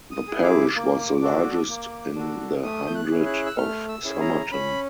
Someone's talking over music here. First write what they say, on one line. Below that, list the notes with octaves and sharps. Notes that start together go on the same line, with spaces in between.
The parish was the largest in the Hundred of Somerton.
D#6
E4 G#4
D6
A#3
D4 F#4 A4
A#3
D4 F#4 A4
A3 D#6
G6
F#6
C#4 E4 G#4
F#6
E6
A3 F6
E6
C#4 E4 G#4
A#5
C#4 B5